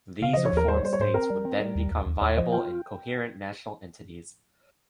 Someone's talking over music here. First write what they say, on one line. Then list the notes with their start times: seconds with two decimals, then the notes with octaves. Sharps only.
These reformed states would then become viable and coherent national entities.
0.22 C#3 F5
0.33 F3 D#5
0.45 C#5
0.53 D#2 A#4
0.68 G3 C5
0.77 C#5
0.83 G3 C5
0.93 C#5
0.99 G#2 C5
1.14 C4 A#4
1.30 G3
1.45 C4
1.60 G3
1.75 D#2
1.91 D#2
2.06 D#2
2.21 D#2 C#5
2.37 F3 D#5
2.52 F4 G5